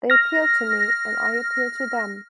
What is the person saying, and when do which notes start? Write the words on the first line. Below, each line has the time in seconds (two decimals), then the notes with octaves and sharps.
They appeal to me and I appeal to them.
0.10 F6 A#6